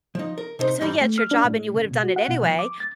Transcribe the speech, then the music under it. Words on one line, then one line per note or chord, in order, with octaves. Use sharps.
so yeah, it's your job and you would have done it anyway,
F3 D#4
A#4
C3 D#4 C5
G#2 E3 G3 D#4 B5 C6
A3
F6
D4
A2
C#3
B2
F#4
F#5
B2
F3
D6
A6